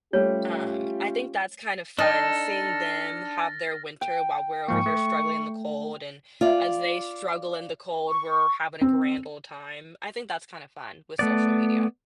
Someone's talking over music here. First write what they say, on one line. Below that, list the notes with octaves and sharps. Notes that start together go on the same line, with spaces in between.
um, I think that's kind of fun seeing them have their winter while we're over here struggling in the cold, and as they struggle in the cold, we're having a grand ole time. I think that's kinda fun with social media
G3 A3 C#4 F4 G4 C#5
D4 D#4 A4 F6 A6 A#6
G5
G#2 F3 A#3 C#6
A3
F4 D5
C#6
C4
A3 B3 D5